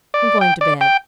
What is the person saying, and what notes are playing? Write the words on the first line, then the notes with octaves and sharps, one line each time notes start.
I'm going to bed.'
D5
G5
D5
G5